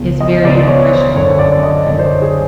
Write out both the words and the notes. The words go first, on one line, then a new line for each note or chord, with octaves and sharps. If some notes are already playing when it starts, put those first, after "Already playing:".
It's very impressionable on
Already playing: C#2 B2
D#5
C#2 B2 D5
C#5
C5
C5
F#2 D3 C#5
D5
D#5
F#2 D3 D5
C5
C#5
G#4